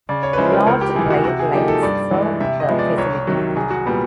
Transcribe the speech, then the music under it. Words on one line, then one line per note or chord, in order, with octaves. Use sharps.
Large rail lines serve the facility.
C#3 D5
C#5
B4
F3 G#3 C#4 E4 C5
A#4
C#2 A#4
G4
C3 E3 G#4
F#4
C3 F#4
G#4
F3 A#3 D#4 G4
A4
G2 D5
E3 G#3
C3 E5
D#5
F3 G#3 B3
D5
C2 C#5
C3 D#3 F#3
C2 G#4
F#4
A#2 G3 B3